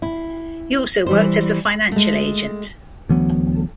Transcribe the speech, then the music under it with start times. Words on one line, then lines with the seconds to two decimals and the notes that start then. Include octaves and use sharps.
He also worked as a financial agent.
0.02 E4
1.06 E3 G3 C5
1.92 G#3 A3
3.09 D2 E3 F#3 B3